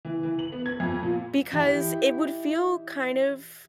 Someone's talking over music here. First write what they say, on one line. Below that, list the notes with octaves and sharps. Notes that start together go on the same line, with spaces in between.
because it would feel kind of
E3
E3
F#7
B3
G#6
F2
A#2
E3 D#4 E4 G4